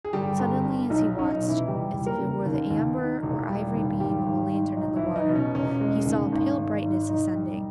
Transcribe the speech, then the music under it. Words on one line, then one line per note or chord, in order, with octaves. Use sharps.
Suddenly, as he watched, as if it were the amber or ivory beam of a lantern in the water, he saw a pale brightness ascending.
G#4
G1 G3 G4
G1
G2
B1 D#4
B1 C#4
D#4
B2
E3 E4
E2 G3 G4
E2
A#3 A#4
C#3
D#2
D#2
D#3
E1
G3
D#2
G#1 G3 G4
G#1
G#2
B1 D#4
E3 E4
B1
D#4
B2
C#4
E1 C#4
G#3
D#2
G#1
G#1
G#2
E1 D#4
G3